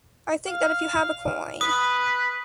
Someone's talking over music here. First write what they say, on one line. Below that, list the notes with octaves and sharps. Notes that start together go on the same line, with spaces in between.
I think that if you have a coin.
F5
B4 D#6